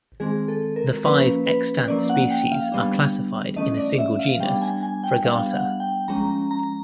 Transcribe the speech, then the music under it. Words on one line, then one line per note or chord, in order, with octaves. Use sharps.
The five extant species are classified in a single genus, Fregata.
D#3 G#3 C4 G#4
A4
A#4
F3 A#3 C#4 B4
B4
F3 A#3 C#4 D5
F#5
G5
F5
D3 G3 B3 D4
E3 A3 C#4 D#5
D5
E5
F5
G3 B3 D4 G5
G#5
G#5
G5
G3 B3 D4 F5
F#5
G5
F3 G#3 C#4 A#5
A#5